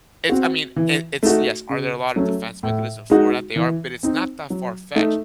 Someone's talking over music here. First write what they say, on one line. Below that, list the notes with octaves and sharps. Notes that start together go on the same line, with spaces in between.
it's I mean, it it's yes, are there a lot of defense mechanism for that? They are, but it's not that far-fetched,
C4 F#4
E3
A3 D#4 F#4
C#3
F#3 A3 C#4
A2
G#3 D#4 F#4
E3
C4 D#4
F#3
A3 D#4